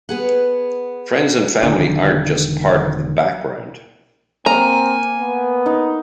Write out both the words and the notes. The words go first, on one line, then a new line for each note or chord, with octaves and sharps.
Friends and family aren’t just part of the background.
B3 G#4 F#5
E1 D3 D#3 D4
A#3 C4 G#5 A#5
B3
D#4